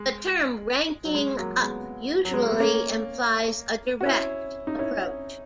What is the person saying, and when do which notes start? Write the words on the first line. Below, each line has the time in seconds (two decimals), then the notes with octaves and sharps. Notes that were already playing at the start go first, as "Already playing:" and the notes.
The term "ranking up" usually implies a direct approach.
Already playing: G#3
1.05 F#3
1.14 G#3
1.38 F#3 A#3
1.62 G#3 B3
2.25 F#3
2.34 G#3
2.42 A#3
2.51 B3
2.60 A#3 C#4
4.01 F#4
4.06 C#4 E4
4.67 D#4
4.79 C#4 E4